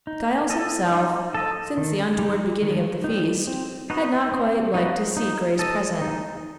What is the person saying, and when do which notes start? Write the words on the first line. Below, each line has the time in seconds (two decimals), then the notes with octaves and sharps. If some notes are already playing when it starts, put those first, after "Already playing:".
Giles himself, since the untoward beginning of the feast, had not quite liked to see Grace present.
0.07 D#4
0.50 A4 D#5
0.91 D#4
1.35 A4 D#5
1.77 D#3
2.19 G3 D#4
2.62 D#3
3.04 G3 D#4
3.47 C4
3.90 D#4 F#4 B4 D#5
4.32 C4
4.74 D#4 F#4 B4 D#5
5.17 D#4
5.59 A4 D#5
6.01 D#4